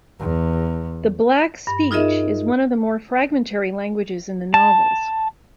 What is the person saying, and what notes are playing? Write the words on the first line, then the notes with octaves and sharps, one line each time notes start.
The Black Speech is one of the more fragmentary languages in the novels.
E2
G2
D#4 F4 G#4 A#4 D#5 E5
A5